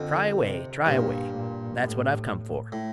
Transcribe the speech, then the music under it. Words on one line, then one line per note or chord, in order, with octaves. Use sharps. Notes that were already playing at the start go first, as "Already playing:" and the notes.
"Try away, try away; that's what I've come for."
Already playing: F2 D3
C3
G2 A#2
A#2
A2
A2